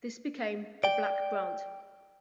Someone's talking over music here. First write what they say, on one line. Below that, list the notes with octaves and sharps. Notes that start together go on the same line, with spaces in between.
This became the Black Brant.
D5 G5